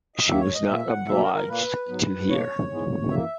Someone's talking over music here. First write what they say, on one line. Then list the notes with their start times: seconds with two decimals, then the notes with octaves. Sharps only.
She was not obliged to hear.
0.16 D#5
0.26 D#2 D#3 A#3 E5
0.40 C#5
0.54 D#5
0.67 A#2 A#3 E5
0.88 F#5
1.08 B2 F#3 A#3 E5
1.22 A#4
1.35 A#4
1.48 A#2 A#3 B4
1.88 G#2 F#3 B3
2.29 B2 A#3 C#5
2.70 G#2 E3 G#3 B3
3.10 F#2 E3 A#3 E5